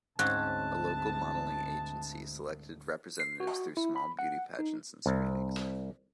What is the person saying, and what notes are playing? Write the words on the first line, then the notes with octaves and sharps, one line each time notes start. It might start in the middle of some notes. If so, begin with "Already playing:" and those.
A local modelling agency selected representatives through small beauty pageants and screenings.
D2 G#2 C4 C#4 A5 F#6
C7
F#4
E4
B5
F#5
D#4
C2